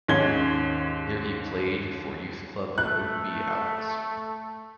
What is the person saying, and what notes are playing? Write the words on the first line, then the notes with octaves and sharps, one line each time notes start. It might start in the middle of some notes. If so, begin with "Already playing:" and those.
There he played for youth club Oadby Owls.
D#2 G#2 C#4 D#5 G#6 G7
A3 F#6